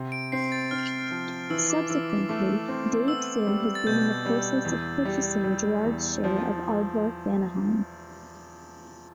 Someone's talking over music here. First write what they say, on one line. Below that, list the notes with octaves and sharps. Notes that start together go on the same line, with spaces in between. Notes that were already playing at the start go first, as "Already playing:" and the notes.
Subsequently, Dave Sim has been in the process of purchasing Gerhard's share of Aardvark-Vanaheim.
Already playing: C3
D7
C4 C7
A6
C4 F6
F3
E3 E6
D6
E3 E6
D6
A3 D6
C4
B3 E6
G3
A6
B2 G6
G3
E2
G3
G3
E2
F3